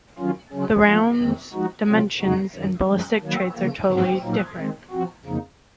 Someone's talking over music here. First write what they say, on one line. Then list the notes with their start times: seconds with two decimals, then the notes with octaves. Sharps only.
The round's dimensions and ballistic traits are totally different.
0.19 D#3 F#3 C#4 F4
0.52 C#3 F#3 C#4
0.86 F3 A#3 F4
1.20 F2 D#3 G#3 C4
1.54 F3 G#3 D#4 F#4
1.88 C3 F#3 C4 F4
2.21 F2 C#3 G#3 D#4 F#4
2.56 F#2 D#3 F#3
2.88 F#2 F3 G#3
3.22 D#3 F#3 A#3
3.56 C#3 F3 A#3
3.90 G#2 F3 C4 F#4
4.24 A#2 F#3 A#3 D#4
4.57 D#3 G#3 C4
4.91 F3 C4 F#4
5.25 F2 C#3 F3 A#3 D#4